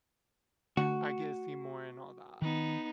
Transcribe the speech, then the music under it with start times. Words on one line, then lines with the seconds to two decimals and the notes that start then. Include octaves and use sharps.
I get see more and all that."
0.77 D3 A3 F#4
2.42 D#3 B3 D#4